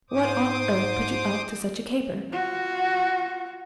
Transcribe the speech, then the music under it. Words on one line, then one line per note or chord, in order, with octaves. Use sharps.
What on earth put you up to such a caper?
G#2 C5 D6 D#6
F4 F#4